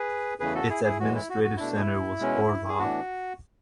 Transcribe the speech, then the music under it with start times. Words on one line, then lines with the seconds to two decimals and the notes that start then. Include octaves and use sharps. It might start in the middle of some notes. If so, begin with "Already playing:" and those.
Its administrative centre was Orlov.
Already playing: G#4 B4
0.39 E2 C#3 E3 A3 G#4 B4
0.54 F#4 A4
0.69 E4 G#4
0.84 E4 G#4
1.00 A2 E3 G#3 F#4
1.15 E4
1.29 F#4
1.44 F#4
1.57 B2 A3 D4 E4
1.81 E4
2.20 B2 G#3 C#4
2.69 G#4
2.79 A2 E3 B3 D4 F#4